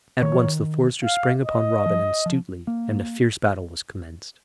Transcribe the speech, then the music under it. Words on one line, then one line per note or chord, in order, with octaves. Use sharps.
At once the foresters sprang upon Robin and Stuteley, and a fierce battle was commenced.
D#3 C#5
F3
D#3
F5
D#5
F3
F3
A#3